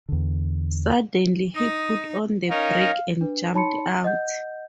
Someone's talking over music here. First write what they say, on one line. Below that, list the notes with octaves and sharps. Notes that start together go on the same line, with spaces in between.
Suddenly he put on the brake and jumped out.
E2 D3
D#4 D#6
C#4 D#4 A#4 F5
D4 B4
D#4 C#5 A5 B5 C6 C#7
D#5 F#5 G6